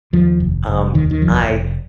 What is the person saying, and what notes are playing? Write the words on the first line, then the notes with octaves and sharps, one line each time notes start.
Um, I
D#2 F3
F1
F1
D#2 D#3
D#3
F1 F3
F1